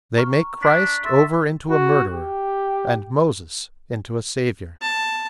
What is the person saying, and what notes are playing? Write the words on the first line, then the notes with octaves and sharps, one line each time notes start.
They make Christ over into a murderer, and Moses into a savior.
A#5 C#6 F6
D4 B6
E5 C6 A6
F#4
G4
A5